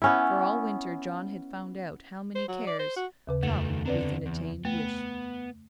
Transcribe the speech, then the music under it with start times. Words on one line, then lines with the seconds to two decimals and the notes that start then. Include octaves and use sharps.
For, all winter, John had found out how many cares come with an attained wish.
0.02 B3 C#4 E4
2.35 C5
2.48 F#3
2.67 D5
2.79 C5
2.96 F#4
3.27 D#2 C#3 B4
3.43 F2 D#3 A3
3.86 D3 B3 C4 B4 D5
4.26 E2
4.65 A3 B3